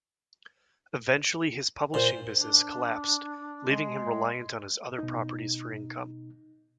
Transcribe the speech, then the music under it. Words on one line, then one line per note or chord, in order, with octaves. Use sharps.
Eventually, his publishing business collapsed, leaving him reliant on his other properties for income.
A#2 C5
D4
G#3
B2 D#4